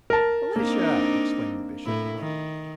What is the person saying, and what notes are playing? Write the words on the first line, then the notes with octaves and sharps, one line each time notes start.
"Felicia!" exclaimed the Bishop.
A#4 A5
A#3 C4 D4 D#4
A2 E4
D#3